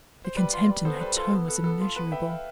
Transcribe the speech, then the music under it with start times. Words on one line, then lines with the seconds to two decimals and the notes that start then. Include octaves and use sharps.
The contempt in her tone was immeasurable.
0.24 C5
0.36 G3 B4 D5
0.53 F4
0.69 G3
0.85 B3 A4 C5
0.96 C5
1.00 G3 B4
1.17 F4 A4
1.33 B3 A4
1.48 A4 B4
1.64 B3 A4
1.80 F4 A4
1.96 B3 B4
2.12 B4 E5 G5
2.28 F5